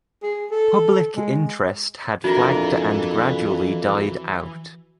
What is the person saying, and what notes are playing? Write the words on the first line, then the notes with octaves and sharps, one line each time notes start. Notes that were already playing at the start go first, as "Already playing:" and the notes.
Public interest had flagged and gradually died out.
G#4
A4
G#3
F2 E3 D4 E4 F#4 A#4